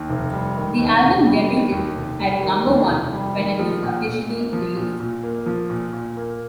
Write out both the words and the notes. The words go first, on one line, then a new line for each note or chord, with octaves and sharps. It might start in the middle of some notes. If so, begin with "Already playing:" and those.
The album debuted at number one when it was officially released.
Already playing: D#2
F1
G3
D#3
D#2
F1
G3
D#3
D#2
F1
G3
D#3
D#2
F1
G3
D#3
F3
A#2
A#2
A#3
F3
A#2
A#2
A#3
F3
A#2
A#2
A#3